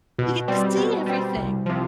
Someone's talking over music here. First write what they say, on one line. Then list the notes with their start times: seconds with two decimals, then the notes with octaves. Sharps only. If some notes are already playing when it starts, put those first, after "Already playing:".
You get to see everything.
0.19 B2
0.48 G3 C4
0.77 B2
1.06 G3 C4
1.37 C2
1.66 C3 F3